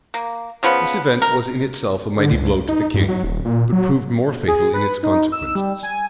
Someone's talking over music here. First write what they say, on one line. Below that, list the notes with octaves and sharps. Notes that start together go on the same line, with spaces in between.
This event was in itself a mighty blow to the king; but proved more fatal in its consequences.
A#3
C#3 F3 B3
A#4
D3
C#2
D#4
G2
F#3
D#1
A#2
F#3
G#4
B4
D#4
E6
G3
G#5